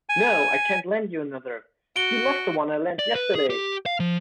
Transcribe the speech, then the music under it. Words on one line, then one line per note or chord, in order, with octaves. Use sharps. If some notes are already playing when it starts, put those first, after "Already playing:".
No, I can't lend you another. You lost the one I lent yesterday!
G#5
F#4 D7 G7
D5
B4
G#4
G4
F5
F3